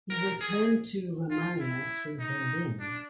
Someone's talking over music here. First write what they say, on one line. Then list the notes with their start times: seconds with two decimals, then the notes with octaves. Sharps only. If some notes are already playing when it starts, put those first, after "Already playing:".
He returned to Romania through Berlin.
0.10 A#4
0.41 G#4
1.30 F4
1.60 E4
2.19 D#4
2.80 D4